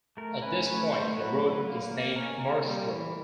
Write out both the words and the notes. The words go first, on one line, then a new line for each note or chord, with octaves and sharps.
At this point, the road is named Marsh Road.
A3 A#4
C#4 B4
A3 B4
A3 C5
F#3 B4
F#3
A#3
A#3
C#4 A#4
A#3
G3
E3